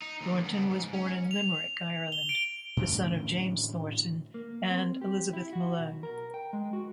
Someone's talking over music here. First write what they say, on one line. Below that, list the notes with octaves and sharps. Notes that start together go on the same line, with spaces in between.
Thornton was born in Limerick, Ireland the son of James Thornton and Elizabeth Malone.
D#4
D#2 D3
C#2 B3
G#2
C#4
F7
G7
D7
A2 D3 E3 C#4
A#3
C4
G4
E4
F#4
B1
A#4
G5
G#3
F#4